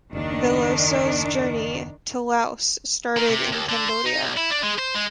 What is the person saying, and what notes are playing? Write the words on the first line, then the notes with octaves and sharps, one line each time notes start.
Veloso's journey to Laos started in Cambodia.
F#1 D#2 D#3 D4
D#3
C3
D#2
D3
C5
D#4
B1
E4
D4
G#3
C5
G#3